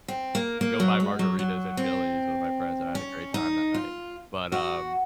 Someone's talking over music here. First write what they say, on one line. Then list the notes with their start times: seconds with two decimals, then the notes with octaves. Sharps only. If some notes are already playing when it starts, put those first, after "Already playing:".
go buy margaritas at Chili's with my friends. I had a great time that night. But, um
0.08 C4
0.35 A#3
0.61 A#3
0.80 F#3
1.00 G#3
1.19 F#3
1.39 F#3
1.77 C4
2.95 C#4
3.34 D#4
3.74 F4
4.52 F#4